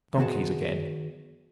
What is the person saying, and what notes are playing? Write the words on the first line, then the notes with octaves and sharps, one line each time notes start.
Donkeys again.
D#3 B3 F#4 G#4 A5